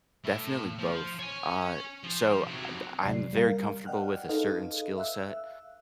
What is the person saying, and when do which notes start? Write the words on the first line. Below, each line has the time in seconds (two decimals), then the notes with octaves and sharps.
Definitely both. Uh, so, I th I'm very comfortable with a certain skill set.
0.24 A2
0.78 F3
1.19 C#5 G#5
2.03 F3
2.46 C3 F#3
3.03 E2 C3 F#3 D5 C7
3.33 G3 A#4 F5
3.85 D5 D#5 F#5 G5 F6 F#6
4.29 D#4 G#4 A4 B4 D#5 F5
4.97 E5 F5 E6 F#6